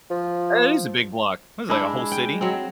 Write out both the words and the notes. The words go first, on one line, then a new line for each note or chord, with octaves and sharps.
That is a big block, it's like a whole city.
F3
G#3 D4 E4 B5 E6
G5
F#3 C4